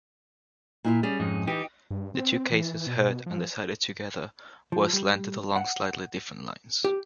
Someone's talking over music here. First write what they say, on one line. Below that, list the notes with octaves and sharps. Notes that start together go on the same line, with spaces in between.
The two cases, heard and decided together, were slanted along slightly different lines.
A#2 E4 F4
G3 C#4 G#4
F2 G#2 D#4
E3 D#4 G4
G2
C4
E3
B2
F3
F3
G3
F#5
G4